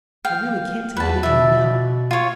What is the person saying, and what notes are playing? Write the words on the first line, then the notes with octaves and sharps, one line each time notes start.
I really can't take it in even now....
F5 G5
E2 B4 A5
B2 D5 E5
F4 C#5